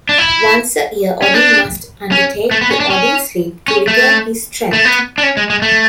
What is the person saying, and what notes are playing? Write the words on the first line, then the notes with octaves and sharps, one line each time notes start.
Once a year Odin must undertake the Odinsleep to regain his strength.
D4
E4
C#4
D4
C#4
A3
B3
C#4
D4
C#4
C#4
A3
A3
B3
D4
C#4
G#3
G#3
A3